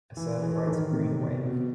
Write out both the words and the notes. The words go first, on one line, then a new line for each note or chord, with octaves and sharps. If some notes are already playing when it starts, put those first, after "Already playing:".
A surfer rides a green wave.
E3
E3 G#4
A4
D#3 A#4
C3
B2
B2